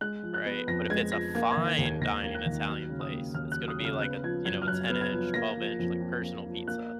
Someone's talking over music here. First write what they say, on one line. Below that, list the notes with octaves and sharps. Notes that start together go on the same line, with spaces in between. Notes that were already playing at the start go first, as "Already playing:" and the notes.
right? But if it's a fine dining Italian place, it's gonna be like a you know, a ten-inch, twelve-inch, like, personal pizza
G#3 F#6
F3
F#6
B3
F2 A#6
G#3 G#6
F3 A#6
A#3 G#6
G#6
D#3
G#6
D#2
G#6
D#2 A#6
A#3
F#6
D#3
F#3 F6
C#3
D#6
A#3
D#2 F6
F#6
F#3
D#6
C#3
F6
B3 F#6
F3 G#6
F#2 G#6
F6
F#2 F#6
B3
G#6
F3
A#3 A#6
F3
F2
F2
A#3
F3
A#3 F#6